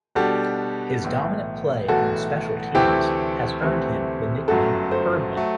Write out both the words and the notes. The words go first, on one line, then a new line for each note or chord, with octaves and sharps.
His dominant play on special teams has earned him the nickname "Burdman".
B2 G3 D4 F#4 G4 A4
B1 A2 E3
B1 A2 E3 F#4 A4
D2 C3 E3 A3 C4 E4 G4
D2 C3 E3 A3 C4
G1 F#2 F#3 A3 F#4 A4
A4 C5
F#3 A3